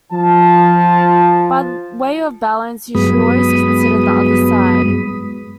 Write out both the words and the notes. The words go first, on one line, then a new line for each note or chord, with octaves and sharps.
By way of balance you should always consider the other side.
F3 A5
G2 F#3 G#3 B3 B5 D#6